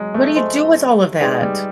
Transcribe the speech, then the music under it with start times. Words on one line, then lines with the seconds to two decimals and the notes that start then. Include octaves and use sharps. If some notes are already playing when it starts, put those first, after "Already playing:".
What do you do with all of that?
Already playing: F#3 G#3
0.14 A3
0.36 C5 D#5 G#5 C6
1.21 G#3 D#4 G#4 B4 D5 G5
1.42 G3